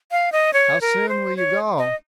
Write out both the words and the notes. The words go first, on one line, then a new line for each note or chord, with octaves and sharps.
"How soon will you go?"
F5
D#5
C#5
A#4
C5
C#5
D#5